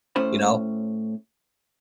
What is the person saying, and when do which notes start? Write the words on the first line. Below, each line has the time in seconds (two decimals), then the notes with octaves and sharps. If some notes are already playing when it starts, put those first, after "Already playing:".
You know?
0.16 A2 C#4 C5 B5